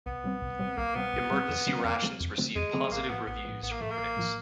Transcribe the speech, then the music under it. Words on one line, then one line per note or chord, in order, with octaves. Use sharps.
"Emergency Rations" received positive reviews from critics.
C2 B3
B2 G3 C4
C2
B2 G3 C4
C2 A#3
B2 G3 B3 C4
C2
B2 G3 C4
F2
D3 F#3 A3 C4
F2 A#3
D3 F#3 A3 C4
F2
D3 F#3 A3 C4
F2 G#3
D3 F#3 A3 C4
A#1 A#3
A2 F3 B3
A#1 B3
A2 F3
A#1 B3
A#3
A2 F3 A3
A#3
A#1
A2 F3